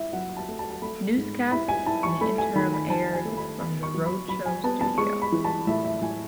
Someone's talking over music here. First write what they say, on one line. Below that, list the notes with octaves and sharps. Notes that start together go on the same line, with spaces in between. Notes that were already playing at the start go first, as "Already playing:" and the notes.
Newscasts in the interim aired from "The Rhode Show" studio.
Already playing: E4 E5
F#3 F#5
A5
A3
A5
A5
A3 B5
G#2
E4 B5
G#5
E4 A5
C#6
A3 B5
G#5
D#3 B5
B5
D#3 A5
G#5
A3
B5
B3 B5
C#6
F#3
B5
F#3 B5
G#5
B3 A5
A5
G#3 C#6
B5
E3
A5
A2 E5
E5
A2 G#5